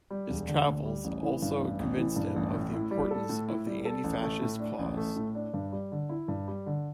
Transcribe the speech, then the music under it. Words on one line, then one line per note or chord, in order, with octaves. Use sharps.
His travels also convinced him of the importance of the anti-fascist cause.
G3
E1
D3
D2
G3
A1
E3
G2
A1
A1
E3
G2
A1
A2
E4
G3
A4
A2
E4
G3
A4
A1
A3
A2
D4
A1
A3
A2
D4
G2
G3
D3
E4
G2
G3
D3